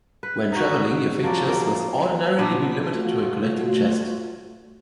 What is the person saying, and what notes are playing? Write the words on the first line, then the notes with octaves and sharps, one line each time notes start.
When travelling your fixtures must ordinarily be limited to a collecting-chest.
B4
D#4 F#4
F3 F#3 D5
A#3
A#2 B3 D4
A3 F4 F#4